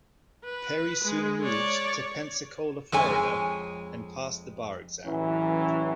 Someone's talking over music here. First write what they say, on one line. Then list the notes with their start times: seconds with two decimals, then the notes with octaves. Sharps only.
Perry soon moved to Pensacola, Florida and passed the bar exam.
0.45 B4
1.05 G#3
1.43 C#5 D5
2.92 F2 G#3 C#5 G#5
5.05 A1 E3 F#3 C#4